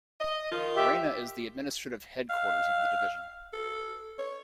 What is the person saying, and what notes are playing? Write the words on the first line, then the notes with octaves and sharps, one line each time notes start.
Morena is the administrative headquarters of the division.
D#5
D#3 F4
G4 E5
F5
A4
C#5